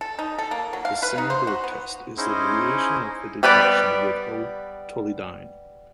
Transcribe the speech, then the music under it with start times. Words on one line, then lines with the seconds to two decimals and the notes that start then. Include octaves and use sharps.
The Sangur test is a variation of the detection with O-Tolidine.
0.01 A4
0.19 D#4
0.38 A4
0.51 A#3
0.73 F#3
0.85 F5
1.03 B4
1.18 D#4
1.30 C5
1.47 F#4
1.63 B3
2.17 C#4 D#4 E4 G#4 C5
3.43 G3 B3 B4 D5